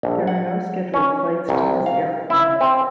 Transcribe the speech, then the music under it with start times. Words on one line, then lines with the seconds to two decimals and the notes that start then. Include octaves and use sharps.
There are no scheduled flights to this airport.
0.03 A#1
0.27 F#5
0.94 C#4
1.49 C2
1.86 F5
2.30 E4
2.61 C4